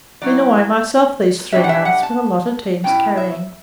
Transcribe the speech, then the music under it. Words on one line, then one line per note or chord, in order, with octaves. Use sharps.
Been away myself these three months with a lot of teams carrying.
F#3 C#4 E4 D5
B2 G3 D4 E5
F#5
E5
F#5
A5
B2 G3 C#4 E4 G5
E5